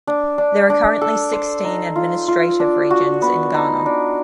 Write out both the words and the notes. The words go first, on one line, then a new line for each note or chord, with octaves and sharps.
There are currently sixteen administrative regions in Ghana.
D4
D4
D4
A4
C5
D#4
F4
F4
D4
F#4
B3
D#4
D4